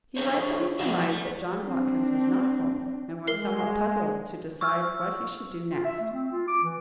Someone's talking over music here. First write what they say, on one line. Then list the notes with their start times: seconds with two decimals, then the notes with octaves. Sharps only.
He rightfully surmised that John Watkins was not home and was somewhat puzzled to decide what he should do next.
0.17 D4 G#4 A4 C5 C#5
0.79 F3 D#4 F#4 G#4 D5 E5
1.09 A3
1.63 C4 D4
3.28 G#3 A#4 C7
4.61 C#6 E6 F6
5.71 F4
5.85 E5
6.00 A3
6.12 C4
6.32 F4
6.48 D6
6.63 E3